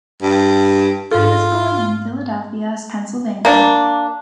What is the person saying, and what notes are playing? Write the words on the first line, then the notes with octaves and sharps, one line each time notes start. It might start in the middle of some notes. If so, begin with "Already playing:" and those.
He was born in Philadelphia, Pennsylvania.
G2
G#2 F4 A4
A#3 D4